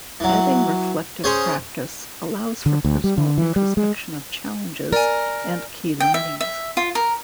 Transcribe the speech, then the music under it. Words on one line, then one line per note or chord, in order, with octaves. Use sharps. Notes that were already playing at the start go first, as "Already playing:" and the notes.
Adding reflective practice, allows for personal introspection of challenges and key learnings.
E3 F#3
C#4 G#4 C5 C#5
D3
D2
G3
D3
E3
G3
G#3
A#4 D5 G#5
G5
E5
E5
F4
A#4